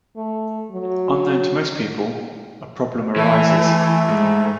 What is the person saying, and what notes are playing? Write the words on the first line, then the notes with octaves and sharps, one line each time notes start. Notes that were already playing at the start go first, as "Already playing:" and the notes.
Unknown to most people, a problem arises.
A3
F#3
E3 A3
G#2